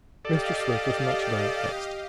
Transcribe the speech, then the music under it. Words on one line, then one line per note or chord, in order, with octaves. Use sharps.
Mr. Swift was much downcast.
G4 A4 D5 D#5 F5